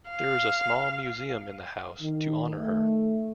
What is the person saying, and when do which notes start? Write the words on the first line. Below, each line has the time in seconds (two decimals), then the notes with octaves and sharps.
There is a small museum in the house to honour her.
0.10 F5
2.01 D#3
2.55 A3